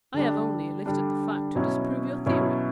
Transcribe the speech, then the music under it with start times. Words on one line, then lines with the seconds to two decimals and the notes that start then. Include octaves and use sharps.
I have only elicited the fact to disprove your theory.
0.14 D3 G3 D4
0.86 D3 G3 D4
1.55 B2 F#3 C#4 E4
2.26 B2 F#3 C#4 E4